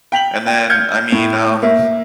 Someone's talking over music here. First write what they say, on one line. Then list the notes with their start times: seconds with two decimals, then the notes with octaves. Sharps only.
And then I mean, um.
0.12 G5 B6 F7 F#7
0.46 G5
0.70 F6 G6 G#6 C#7
1.12 A2
1.62 A#3 E5